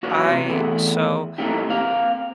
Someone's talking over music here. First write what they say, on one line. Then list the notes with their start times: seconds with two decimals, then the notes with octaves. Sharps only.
I so,
0.03 A#3 F#4 B4 C#5
0.29 C3
0.47 E2 A3 E4 G#4
1.38 A3 A#3 C4 D#4 E4 G4
1.69 A#3 C4 F5